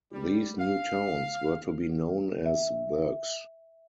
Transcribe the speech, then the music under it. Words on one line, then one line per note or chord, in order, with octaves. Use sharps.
These new towns were to be known as Burghs.
G3
F5
E5